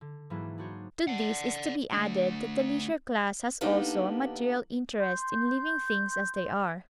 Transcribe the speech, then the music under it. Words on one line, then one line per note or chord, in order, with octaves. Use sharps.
To this is to be added that the leisure class has also a material interest in leaving things as they are.
D3
G#2 E3 F#3 A#3 D4 E4
D4 D#4 F#4 C5 C#5
D5 F#5
A3 D4
D3 A#3 B3 D4 D#4 G4
C6 G6